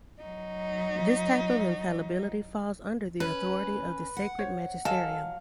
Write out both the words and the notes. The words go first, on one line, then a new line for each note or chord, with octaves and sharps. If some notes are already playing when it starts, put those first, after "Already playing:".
This type of infallibility falls under the authority of the sacred magisterium.
F#3 D#4
C#4 B4
F#5
C5 C#5
F#3 A4 D#5 F5 G#5 A5